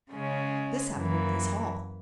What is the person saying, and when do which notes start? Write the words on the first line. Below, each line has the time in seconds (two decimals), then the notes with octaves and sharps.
This happened in his hall.
0.12 C#3 G#3 C#4
0.96 F#2 E3 A#3